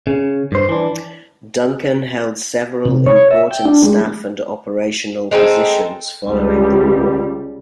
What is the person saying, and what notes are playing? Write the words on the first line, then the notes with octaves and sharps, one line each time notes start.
Duncan held several important staff and operational positions following the war.
C#3
G2 C5
E3 D4
C3
C#5
E5
G5
D4
G#3
G#3 C4 D#4 A4
C#2 G3